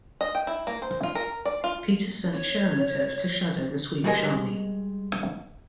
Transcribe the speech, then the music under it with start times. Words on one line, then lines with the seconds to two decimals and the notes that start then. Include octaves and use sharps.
Peter sent Sheremetev to shadow the Swedish army.
0.21 D#5
0.35 G5
0.47 E4
0.67 A#3
0.82 C5
1.03 F4
1.15 A#4
1.45 D5
1.64 F4
2.33 C#5
4.04 G3 G#3 F#4 A#4 D#5 G#5